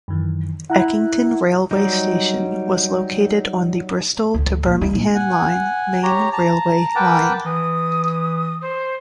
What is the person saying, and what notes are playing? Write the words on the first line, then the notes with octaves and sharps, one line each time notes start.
Eckington railway station was located on the Bristol to Birmingham Line main railway line.
F#2 D#3 E3
E4 F#5 A#5 F#6
F#3 G3 D#4
D2
D2
A#2
D#4
A#1
F#5 G#5
G4 C#5 A#5
A5 A#5
A#4 B4 F#5 G5 A5 D6
E3 D#6
C5